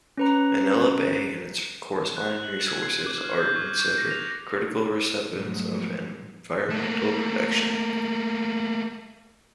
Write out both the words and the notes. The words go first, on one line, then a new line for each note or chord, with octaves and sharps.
Manila Bay and its corresponding resources are considered critical recipients of environmental protection.
C#4 B4 A#5
F#6
F#7
G#6
C7
D6
F6
G6
C#6
C#6
A#6
F7
G#2 B2 F3 F#3 G#3 A3
A3 A#3